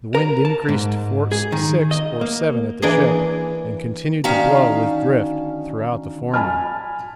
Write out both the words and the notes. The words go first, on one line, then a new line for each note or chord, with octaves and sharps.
The wind increased to force six or seven at the ship, and continued to blow, with drift, throughout the forenoon.
A#4
A5
G#2
G#4
D#3
D#5
A#3
E3 A#3 D4 G#4
D2 D#3 C#4 F5 A5 A#5
G#5 A5 B5 F6